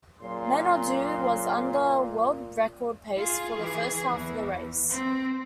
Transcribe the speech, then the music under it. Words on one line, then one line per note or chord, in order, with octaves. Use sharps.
Manaudou was under world record pace for the first half of the race.
A#2 C#3 F#3 C6
F4 G#4
E3 G#4
E2 E3
C4